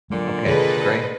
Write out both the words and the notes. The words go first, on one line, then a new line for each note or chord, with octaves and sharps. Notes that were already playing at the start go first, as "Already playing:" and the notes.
Okay. Great.
A#2 D3 F#3 G#3
C3 D#3 G#4 A4 B4 C#5 D#5